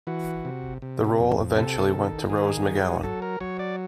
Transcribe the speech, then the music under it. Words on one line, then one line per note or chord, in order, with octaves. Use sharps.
The role eventually went to Rose McGowan.
E3 F#4
C3
C3
F2
C3 A4
D#3
D#3 G#4
F#3
F#3 A4
A#4
F#3 C#5
D5